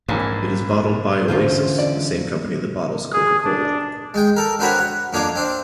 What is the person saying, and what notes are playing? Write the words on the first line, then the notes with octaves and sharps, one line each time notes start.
It is bottled by Oasis, the same company that bottles Coca-Cola.
A#1 G#2 E3 C#4
E2 D3 C#4 F4 C5
D5
G#4
D4
G#3 G5
A4 A#4
D3 C4 F#4 A#4 B4 C#5
F#5
F2 A#3 D4 C#5 D6
C4 D4